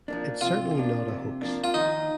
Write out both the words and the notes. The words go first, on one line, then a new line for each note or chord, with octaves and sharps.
It's certainly not a hoax.
F3 A#3 D4
C3 F4
F3 A#3 D4
C3
F3 A#3 D4
F4
D#3 D#4